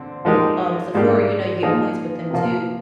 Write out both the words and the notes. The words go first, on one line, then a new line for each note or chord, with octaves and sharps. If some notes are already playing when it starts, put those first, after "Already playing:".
um, Sephora. You know, you get points with them too,
Already playing: D3 C4
F3 G#3 D#4 G4 A#4
G#2 G3 D4 G4 A#4
F3 A#3 D#4 G#4
C3 F3 A#3